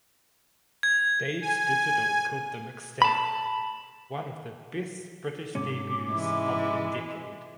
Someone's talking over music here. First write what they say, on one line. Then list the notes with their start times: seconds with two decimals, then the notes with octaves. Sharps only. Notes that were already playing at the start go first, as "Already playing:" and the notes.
Dazed Digital called the mixtape "one of the best British debuts of the decade".
0.83 G#6
1.42 G#5
3.02 A5 B5
5.55 G#2 C3 C#4 D6
6.12 E3 G#3 E4